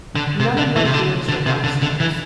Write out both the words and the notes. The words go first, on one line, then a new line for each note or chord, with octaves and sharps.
None of my heroes were rock stars.
D3
C3
D3
E3
C3
D3
D3
C3
D3
D3
E3